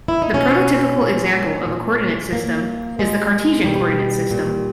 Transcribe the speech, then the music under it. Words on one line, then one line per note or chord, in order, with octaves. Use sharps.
The prototypical example of a coordinate system is the Cartesian coordinate system.
E4
D#4
B2 C#4
A#2
A#2
A#2 A#3
A#2 G#3
B2 G3
A#2